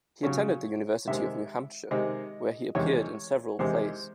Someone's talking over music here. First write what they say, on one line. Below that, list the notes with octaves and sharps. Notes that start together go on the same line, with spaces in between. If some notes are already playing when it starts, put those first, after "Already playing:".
He attended the University of New Hampshire, where he appeared in several plays.
C#3 F#3 C#4 C#5
C3 D#3 G#3 C4 E5
C3 D#3 G#3 C4 D#5
E2 C3 D#3 G#3 C#5
E2 C3 D#3 G#3 C5